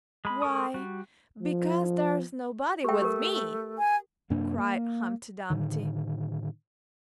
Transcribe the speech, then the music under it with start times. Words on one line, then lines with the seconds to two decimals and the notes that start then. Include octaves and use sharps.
'Why, because there's nobody with me!' cried Humpty Dumpty.
0.25 G#3 B5
0.42 G#3 A4 A#4 C#6 D#6
0.74 G3 F#4
1.42 F3
2.85 A3 G4 G5
3.02 G4 A#4
3.78 G#5
4.30 F#2 C3 A#3 D4
4.58 A#3
5.50 A2 D3 D#3